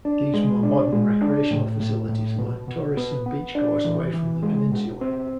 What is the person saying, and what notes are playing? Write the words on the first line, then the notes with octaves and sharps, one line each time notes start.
These more modern recreational facilities lured tourists and beachgoers away from the peninsula.
D4
G#3
D4
G#3
D4
A2
A2
A2
B2
B2
B3
B3
D4
E3
E3
G#3
B2
C4